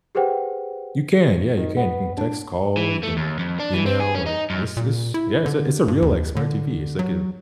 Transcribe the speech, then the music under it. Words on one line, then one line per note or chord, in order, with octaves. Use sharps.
You can, yeah, you can. You can text, call, you can email, like, this is yeah, it's a it's a real, like, smart TV. It's like a
G4 G#4 B4 C5 F#5 G5
D#3
B3
D4
E3
A3
D#2
F2
D4
E3
C4
G#4
C#4
D#4
F#2
A#2
E4
D3
G2
D#2
D3
F#3